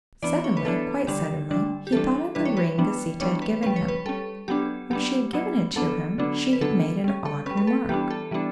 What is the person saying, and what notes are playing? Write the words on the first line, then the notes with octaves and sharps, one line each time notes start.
Suddenly, quite suddenly, he thought of the ring Gauzita had given him. When she had given it to him she had made an odd remark.
E3 B3 D4 D5
C#5
B4
E3 B3 D4 A4
D3 G3 D4 G4
D3 G3 D4
G4
E3 G3 D4 A4
E3 G3 D4 B4
C#5
B4
E3 G3 B3 D4
E3 G3 B3 D4 C#5
B4
G3 C#4 B4
C#5
B4
G3 C#4 A4
F#3 B3 D4 G4
F#3 B3 D4 G4
F#3 B3 D4
F#3 B3 D4 A4
D3 F#3 B3 D4
B4
D3 F#3 B3 D4 A4
G3 C#4
A4
G3 C#4 B4
B4
A4
E3 G3 B3 D4 G4
A4
E3 G3 B3 D4